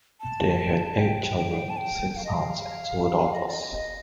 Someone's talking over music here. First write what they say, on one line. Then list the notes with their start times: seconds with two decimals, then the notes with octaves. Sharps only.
They had eight children, six sons and two daughters.
0.20 A5
0.99 G5
1.38 G5
1.70 A5
1.77 G5
2.16 F5
2.24 D#5
2.34 F5
3.33 D#5
3.49 D5
3.53 D#5
3.73 D#5